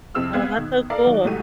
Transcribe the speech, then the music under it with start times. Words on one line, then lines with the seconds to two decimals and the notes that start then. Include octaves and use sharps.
Oh, that's so cool.
0.15 F2 C3 C4 E6 F6
0.33 B3 C4 F5 F#6 G#6
0.56 B2 D#3
0.90 A4 A#4 D5 F5
1.07 D#3 F#3 D5
1.24 C2 G#2 F#3 A3 G4 D#7